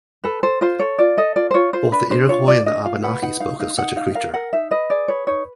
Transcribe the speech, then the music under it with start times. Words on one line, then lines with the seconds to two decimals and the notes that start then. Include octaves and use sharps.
Both the Iroquois and the Abenaki spoke of such a creature.
0.24 A4 B4
0.43 A4 C5
0.61 F4 C5
0.79 A4 C#5
0.98 F4 D5
1.17 A4 D#5
1.36 F4 D5
1.51 C5
1.54 F4 C#5
1.73 F4 C5
1.92 D4 B4
2.10 D4 C5
2.29 F4 C#5
2.48 F4 D5
2.66 D4 D#5
2.85 F4 F5
3.03 B4 F#5
3.22 D#4 F#5
3.40 D#4 F5
3.60 D#4 F5
3.77 D#4 F#5
3.96 D#4 F5
4.15 A#4 F5
4.34 A#4 F#5
4.53 D#4 E5
4.71 B4 D#5
4.90 G#4 D5
5.08 B4 C#5
5.27 D#4 C#5